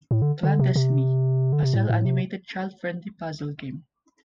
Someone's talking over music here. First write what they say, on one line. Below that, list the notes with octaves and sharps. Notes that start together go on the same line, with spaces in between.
"Clandestiny" - a cel animated child-friendly puzzle game.
A2
D3
D3
C3
C3
D3
C3
A2
A2
C3